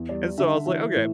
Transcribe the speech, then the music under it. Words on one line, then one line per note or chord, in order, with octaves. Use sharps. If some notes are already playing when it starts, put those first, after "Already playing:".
and so I was like, "Okay,
Already playing: E2
G3 D5
D3 E5
E3 E5
A2